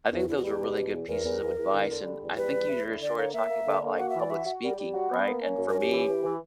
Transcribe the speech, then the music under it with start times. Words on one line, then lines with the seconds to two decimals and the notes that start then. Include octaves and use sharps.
I think those are really good pieces of advice, and I think you're sort of talking about, like, public speaking right? And for me
0.12 E2
0.20 F#4
0.28 E2 E4
0.37 F#4
0.44 G3 G4
0.61 B2
0.76 E2
0.93 E2
1.08 E2 A#4
1.25 E2
1.41 E2
1.57 E2
1.73 D3
1.90 D3
2.05 G3
2.21 E2
2.37 G3 B4
2.54 E2
2.70 E4
2.85 D3
3.02 D3 D5
3.18 A#3 C#5
3.34 A#3 E5
3.50 A#3
3.66 D3
3.82 A#3
3.98 F#4 F#5
4.09 E3 E5
4.20 D5
4.30 F#4 E5
4.46 F#4
4.62 G3 A#4
4.74 G4
4.79 G3
4.94 F#4
5.11 B3
5.26 A#3
5.43 C#4
5.59 F#2
5.69 A#4
5.75 C#4
5.80 G4
5.91 E3
6.07 E3
6.23 E3